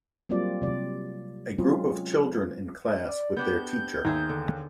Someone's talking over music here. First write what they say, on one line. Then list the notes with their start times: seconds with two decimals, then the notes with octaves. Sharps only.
A group of children in class with their teacher.
0.29 F#3 G3 A#3 C4 F4 D5
0.62 C3 D5
1.58 F#3 G#3 C4 C#4 F4
3.08 D5
3.37 B3 D4 G4 G6
4.05 D#2 D#4 G#4 E5
4.29 D3